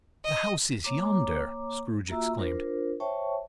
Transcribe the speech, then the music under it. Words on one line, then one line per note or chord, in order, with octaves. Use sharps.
"The house is yonder," Scrooge exclaimed.
D#5
A#3 C#5 A#5 D6
A#3 F4 F#4 E5 A#5 E6
D4 F4 A#4 C5
C5 C#5 E5 G5 A5 C#6